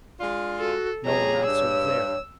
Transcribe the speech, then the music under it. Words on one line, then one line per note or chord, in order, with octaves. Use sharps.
No one answered there.
G#3 D4 F4
F#4 A4
F2 C#3 G3 G#4 C#5 A#5
G2 E6